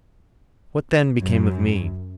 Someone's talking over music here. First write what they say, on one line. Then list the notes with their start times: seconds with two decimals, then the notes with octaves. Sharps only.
What then became of me?
1.18 F#2